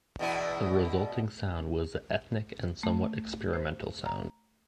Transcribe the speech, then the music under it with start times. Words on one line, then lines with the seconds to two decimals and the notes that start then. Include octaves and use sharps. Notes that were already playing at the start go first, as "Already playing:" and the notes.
The resulting sound was a ethnic and somewhat experimental sound.
0.19 E2 B2 E4
2.83 A3
3.54 C5
4.06 A#5